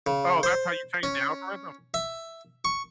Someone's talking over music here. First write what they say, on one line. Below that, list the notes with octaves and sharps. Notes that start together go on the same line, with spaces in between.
Oh, that's how you change the algorithm?
C#3
C5
C#4
E5
C#6